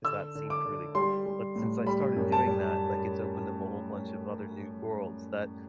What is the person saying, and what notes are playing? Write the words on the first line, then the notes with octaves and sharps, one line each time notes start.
'cause that seems really cool, but since I started doing that, like, it's opened up a whole bunch of other new worlds that
D3 E6
D3
D6
D3
G3 C6
G3
A2
G3 B5
F#2
A5
G3